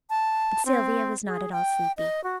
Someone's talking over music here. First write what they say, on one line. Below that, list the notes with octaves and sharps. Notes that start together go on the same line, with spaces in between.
But Sylvia was not at all sleepy.
A5
C4
G#4
G5
D#5
F#4